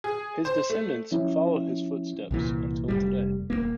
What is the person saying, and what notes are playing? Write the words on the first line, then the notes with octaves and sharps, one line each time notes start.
His descendants follow his footsteps until today.
G#4
C5
A3
F3 C#4 E4
C2 A#2 E3
F1 B1 G3
D#1 C#2 A#3